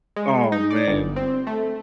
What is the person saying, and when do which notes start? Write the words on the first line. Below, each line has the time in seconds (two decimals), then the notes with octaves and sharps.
Oh, man.
0.16 G#3
0.52 D#4
0.71 D5
0.87 G1
1.16 C4
1.47 A3